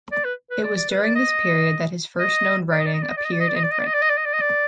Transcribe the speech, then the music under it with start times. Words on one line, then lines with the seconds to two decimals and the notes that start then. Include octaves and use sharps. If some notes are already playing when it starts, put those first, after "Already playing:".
It was during this period that his first known writing appeared in print.
0.12 D5
0.24 B4
0.50 B4
0.63 D5
0.76 D5
0.90 B4
1.02 D5
1.15 D#5
2.19 D#5
2.71 D5
2.79 D#5
2.86 D5
2.94 D#5
3.02 D5
3.09 D#5
3.17 D5
3.24 D#5
3.32 D5
3.40 D#5
3.48 D5
3.55 D#5
3.63 D5
3.71 D#5
3.79 D5
3.87 D#5
3.94 D5
4.02 D#5
4.09 D5
4.17 D#5
4.25 D5
4.33 D#5
4.41 D5